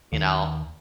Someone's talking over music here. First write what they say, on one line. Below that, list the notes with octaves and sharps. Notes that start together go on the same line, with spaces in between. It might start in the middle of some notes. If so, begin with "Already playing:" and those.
you know?
D#2 D#3